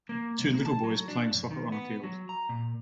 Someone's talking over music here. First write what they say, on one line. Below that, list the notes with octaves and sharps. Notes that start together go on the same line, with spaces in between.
Two little boys playing soccer on a field.
A#3
C2
A#3
A5
F#3
D4
F#2
D#3
B3
F#3
A#5
A#2